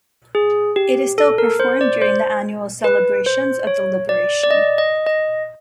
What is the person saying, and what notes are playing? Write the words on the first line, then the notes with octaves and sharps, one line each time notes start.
It is still performed during the annual celebrations of the liberation.
G#4
G4
A4
A#4
C5
D5
C5
B4
C5
C#5
D5
D5
D#5
D#5
D#5